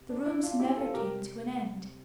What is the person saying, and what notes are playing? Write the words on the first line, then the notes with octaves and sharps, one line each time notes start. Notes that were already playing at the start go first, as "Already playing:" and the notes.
The rooms never came to an end.
Already playing: C3
D4
E4
D4 F4
E4 G4
F4 A4
C3 G3 G4 A#4